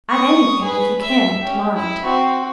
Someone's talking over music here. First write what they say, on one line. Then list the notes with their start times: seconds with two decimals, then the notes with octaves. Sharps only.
Add anything if you can to mind!
0.10 C#6 D#6
0.62 G#4 B4
1.01 E5
1.41 C#4 G4
1.74 E4
2.04 C4 F#4